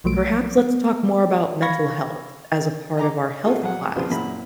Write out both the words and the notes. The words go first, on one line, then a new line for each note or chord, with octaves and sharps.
"Perhaps let's talk more about mental health as a part of our health class."
B1 F3 F#3 A3 D7
B3
F5 B5 C#6 G#6 A#6
D#5 A#5 D6
C4 F4 F#4 G#4 A4
A#1 F#3 F#5
A#1 F2 C#3 F4 B4 C5
F#2 A#2 E4 B5